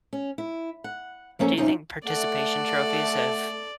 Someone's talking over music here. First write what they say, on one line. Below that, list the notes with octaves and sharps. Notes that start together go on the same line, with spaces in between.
Do you think participation trophies have
C#4
E4
F#5
F3 A#3 C#4 A4 A#5
C3 E3 G3 C#4 D#4 F4
A3 A4 D5 F#5